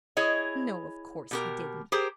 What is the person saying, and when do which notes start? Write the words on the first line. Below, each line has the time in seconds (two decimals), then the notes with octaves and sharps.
"No, of course he didn't."
0.17 E4 G#4 C#5 D#5
1.31 B2 G4 A#4
1.92 G4 G#4 A#4 C5